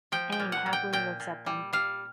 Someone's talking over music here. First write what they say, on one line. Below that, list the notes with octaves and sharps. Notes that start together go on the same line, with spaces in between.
Aang happily looks at them.
F3 G5
G5
A#2
F#5
A#2
G5
A#2 G5
A#2
G3
G3 F5